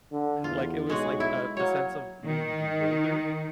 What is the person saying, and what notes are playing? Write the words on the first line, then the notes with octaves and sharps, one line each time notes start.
Like, it was like a a sense of being bewildered.
D3
E2 F4
B1 G#3 F#4 G#4
E4
F#3 A#3 C#5
D#3